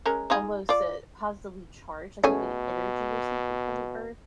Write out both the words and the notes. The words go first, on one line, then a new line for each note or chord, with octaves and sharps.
almost, uh, positively charged, like you're getting energy or something from the earth.
G#3 C#4 A#4
D#4 F4 G#4
F4 D5
B2 A3 C#4 G#4 G#5